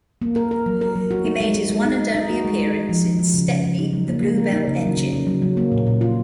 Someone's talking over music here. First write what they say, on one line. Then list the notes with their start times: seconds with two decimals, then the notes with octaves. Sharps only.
He made his one and only appearance in "Stepney the "Bluebell" Engine".
0.22 A#3
0.36 A#4
0.51 A#4
0.66 F#3
0.81 A#4
0.96 F#3
1.11 F#4
1.25 D#4
1.41 G#3
1.55 G#3
1.70 G#3
1.85 D#4
2.00 D#4
2.15 D#4
2.30 F#4
2.45 G#3
2.60 G#3
2.74 G#3
2.89 F3
3.04 F3
3.19 F3
3.34 C#3
3.49 C#3
3.64 C#3
3.79 D#4
3.93 F#3
4.08 A#3
4.23 A#3
4.38 A#4
4.53 D#4
4.68 C#3
4.82 F#3
4.97 C#3
5.13 C#3
5.27 F#3
5.42 F#3
5.57 A#3
5.72 A#2
5.87 A#2
6.01 F4